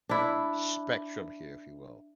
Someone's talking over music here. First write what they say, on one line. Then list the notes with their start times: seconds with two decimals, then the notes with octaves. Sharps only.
sh spectrum here, if you will,
0.09 D4 E4